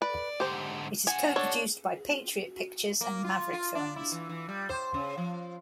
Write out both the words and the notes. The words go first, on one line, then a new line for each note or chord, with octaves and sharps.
It is co-produced by Patriot Pictures and Maverick Films.
B4 D5
G#2 D3 G4 C5
G4 F#5 G#5
D4 A4 C#5
A#3
F4
F4
D4
E4
E3
E3
G3
C5
C#3
F3